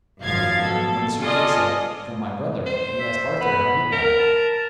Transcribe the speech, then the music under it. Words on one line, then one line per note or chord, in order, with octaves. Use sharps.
And when Sir Kay said, "From my brother," he asked Arthur how he got it.
G#1 F#2 F3 F5 G#6 A6
B2 A4
F4 A4 D5 D#5 G#5
C5
E5
B3 B5
A#4
A5